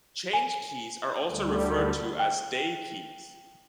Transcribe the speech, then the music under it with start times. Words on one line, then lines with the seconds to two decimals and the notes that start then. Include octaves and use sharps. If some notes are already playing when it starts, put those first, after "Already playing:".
Change keys are also referred to as day keys.
0.33 G#5
1.26 D2 D3 G3
2.19 G5